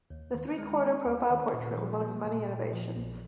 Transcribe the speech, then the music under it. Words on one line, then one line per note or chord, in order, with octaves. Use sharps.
The three-quarter profile portrait was one of his many innovations.
D#2
D#3
G#3
B3
D#2
D#3
A#2
F3
A#3
A#2
A#2
F3
A#1